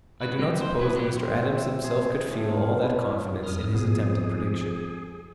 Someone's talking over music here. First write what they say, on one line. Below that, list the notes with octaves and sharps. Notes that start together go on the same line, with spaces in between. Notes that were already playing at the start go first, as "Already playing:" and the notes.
I do not suppose that Mr. Adams himself could feel all that confidence in his attempted prediction.
G#2 F#4 B4
F#3 G3 A#3 C4 G4
C5
C3 B3 E4 B4
F#3 G3 F#4 G4
C4
E5
G#4
A2
F5
B5
A2
F2 D#6 F6
F2 G#2 B2 G#4